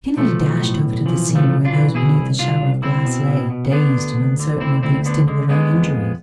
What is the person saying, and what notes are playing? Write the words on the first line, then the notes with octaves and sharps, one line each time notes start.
Kennedy dashed over to the scene where those beneath the shower of glass lay, dazed and uncertain of the extent of their own injuries.
B1 F3 A3
B1
A2
B1
E3 F3
B1
F3 A3
B1
D4 F4
E3
B2 E4 G#4
C2
C2 D4 F4
C2
C2 C4 E4
B2
B2
B2
D3 B3 D4
D2
D2
D3
D2 C4 E4
D2 C4 E4
D3 B3 D4
D3 G#3
D3 G#3 B3
F2
F2